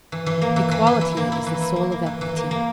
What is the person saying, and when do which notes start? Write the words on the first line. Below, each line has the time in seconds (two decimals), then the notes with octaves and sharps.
Equality is the soul of equity.
0.12 E3
0.26 E3
0.42 A#3
0.56 E3
0.71 E3
0.87 E3
1.01 E4
1.17 A#3
1.32 E4
1.47 E3
1.62 E4
1.76 A#3
1.92 A#3
2.06 E3
2.21 E3
2.37 A#3
2.51 A#3